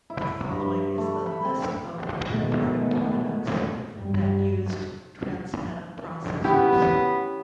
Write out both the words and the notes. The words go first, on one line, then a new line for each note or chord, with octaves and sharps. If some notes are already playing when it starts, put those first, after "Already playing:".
The following is a list of third-party products that used Transmeta processors.
E4
G2
A3
B5
C4
B2 D#3 G#3 A3 B3
G2 G3
B3 C#4 E4 G4